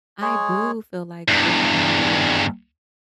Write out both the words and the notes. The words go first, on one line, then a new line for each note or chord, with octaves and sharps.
I do feel like social media
G#3 G#4 C#5
E2 G2